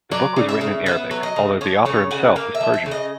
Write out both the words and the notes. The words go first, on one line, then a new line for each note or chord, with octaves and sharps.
The book was written in Arabic, although the author himself was Persian.
F#3 D5
C#3
E5
C#3
B3 E5
F#3
D#5
C#3
F3 C#5
C#3 C#5
C#3 F#5
A#3 F5
E5
F3
E5
C#3
D#5